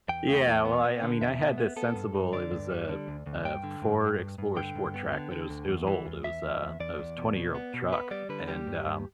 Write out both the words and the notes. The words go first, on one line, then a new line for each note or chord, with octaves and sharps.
Yeah, well, I I mean, I had this sensible it was a a Ford Explorer sport track, but it was it was old, it was a it was a twenty-year-old truck, and, um,
E2 G5
A3
E2
B3
B3
D3
E2 E5
B2
B3
B3 A4
G2
G2
D3 D5
G2
G3
D3
D2
D2
G2 G5
D3
G2
G2
G2
G2
D3 G5
G2
B3
D3
D3
D2
E2
E3
E2
E2 E5
E2
E2
E2 D5
E2
B2
B2
B3
B2
B3 B4
G3 D5
D3 B4
G3 G4
G2
G2